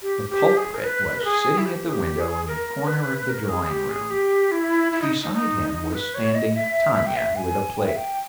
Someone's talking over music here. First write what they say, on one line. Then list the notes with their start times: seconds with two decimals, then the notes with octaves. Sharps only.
The culprit was sitting at the window in the corner of the drawing room; beside him was standing Tanya with a plate.
0.02 G4
0.30 G4
0.57 G#4
0.74 A#4
0.84 B4
1.20 A#4
1.25 G#4
1.58 E4
1.66 G4
1.87 G#4
1.93 G4
2.20 G#4
2.48 A#4
2.88 B4
3.29 A#4
3.49 G#4
3.70 G4
3.90 G#4
4.10 G4
4.51 E4
4.92 E4
5.02 D#4
5.22 D#4
5.33 D#4
5.73 D#4
5.94 B4
6.14 C#5
6.35 D#5
6.55 E5
6.95 E5
7.06 G5
7.17 E5
7.36 G#5
7.77 G5
7.87 E5
7.97 G5